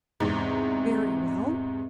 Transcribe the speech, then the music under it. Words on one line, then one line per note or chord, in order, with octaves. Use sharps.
Very well.
E2 G#2 C3